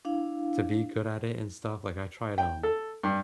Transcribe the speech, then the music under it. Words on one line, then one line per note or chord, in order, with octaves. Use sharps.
to be good at it and stuff, like, I tried, um,
D4 E4 F5
G5
A4
G2